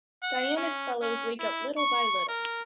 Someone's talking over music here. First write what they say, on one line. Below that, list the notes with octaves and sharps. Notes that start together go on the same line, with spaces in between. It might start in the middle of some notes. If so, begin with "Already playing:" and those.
Diana’s fellows wake up little by little.
F#5
C#4
C#4
E4
C#6
A#4